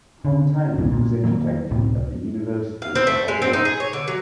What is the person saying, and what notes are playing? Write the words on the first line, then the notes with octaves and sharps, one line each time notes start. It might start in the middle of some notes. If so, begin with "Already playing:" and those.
Fontaine was educated at the University of Ottawa.
D3
D1 B1 G#2 C#3
A#2
D#3 F#3 A#3
C#2 A2 C3
F5
C4
A3
G#3
C4
D#4
G#4
C#5
D3
F#3